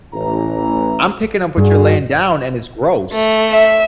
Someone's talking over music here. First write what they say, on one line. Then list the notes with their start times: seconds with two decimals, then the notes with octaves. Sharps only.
I'm picking up what you're laying down and it's gross.
0.14 A1 E3 A#5
1.57 G2 F#4 G#4
3.12 A3
3.50 E5